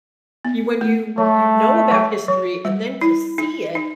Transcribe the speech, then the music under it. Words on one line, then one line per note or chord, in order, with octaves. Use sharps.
you when you you know about history, and then to see it
B3
A3
F#3 A3
F#3
F#3
G3
E4
D#4
D#4